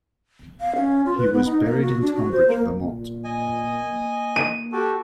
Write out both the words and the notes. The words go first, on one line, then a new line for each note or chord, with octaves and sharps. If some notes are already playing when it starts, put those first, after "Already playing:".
He was buried in Tunbridge, Vermont.
F5
C#4
F4
B4
B3
D#4
A#3
F#4
D4
F#4
C5
A#3
A#2
D#5 G#5
A#3
D#7
F#4 G4 A4